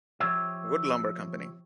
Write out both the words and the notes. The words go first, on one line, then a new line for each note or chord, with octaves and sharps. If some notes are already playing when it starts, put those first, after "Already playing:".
Wood Lumber Company.
F3 G4 C#5 E5